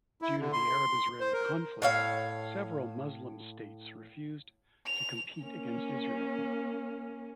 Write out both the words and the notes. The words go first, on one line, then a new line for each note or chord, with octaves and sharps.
Due to the Arab-Israeli conflict, several Muslim states refused to compete against Israel.
E4
D3
C6
C5
A#4
A2 C#5 F5
F7
A#3 C#4